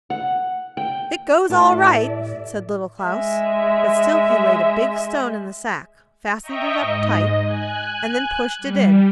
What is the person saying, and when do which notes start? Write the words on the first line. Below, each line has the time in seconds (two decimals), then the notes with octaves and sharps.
'It goes all right!' said Little Klaus; but still he laid a big stone in the sack, fastened it up tight, and then pushed it in.
0.10 F#5
0.77 G5
1.50 A2 G4 A4 B4 D5 E5
3.05 G#3 E5
6.42 D#5 E5 G5 A#5 C#6 D#6
6.78 G#2 D#5
7.42 G#5 F#6
8.59 G3